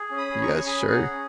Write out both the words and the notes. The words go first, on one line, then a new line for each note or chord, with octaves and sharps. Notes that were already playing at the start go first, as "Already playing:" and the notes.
"Yes, sir."
Already playing: G#4
C#4
B5 D#6
G#4
A#5 C#6
C#4
G#4 G#5 B5
C#4
F#5 A#5
G#4